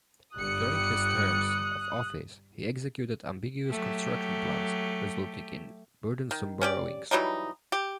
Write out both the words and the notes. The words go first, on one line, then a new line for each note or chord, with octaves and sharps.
During his terms of office he executed ambitious construction plans resulting in burdensome borrowings.
G1 G3 D#6 F#6 C#7
F#3 A3 G4
D#3
C#4 G4 D5
E3 F#3 G3 D#4
G4